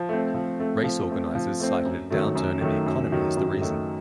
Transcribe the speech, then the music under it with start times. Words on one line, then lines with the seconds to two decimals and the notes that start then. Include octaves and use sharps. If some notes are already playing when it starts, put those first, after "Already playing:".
Race organizers cited a downturn in the economy as the reason.
Already playing: F3
0.09 A3 C4
0.34 F3
0.60 A3 C4
0.84 F3
1.10 A3 C4
1.35 F3
1.60 A3 C4
1.85 F#2
2.10 D#3 F#3 A3
2.35 F#2
2.61 D#3 F#3 A3
2.86 F#2
3.11 D#3 F#3 A3
3.37 F#2
3.61 D#3 F#3 A3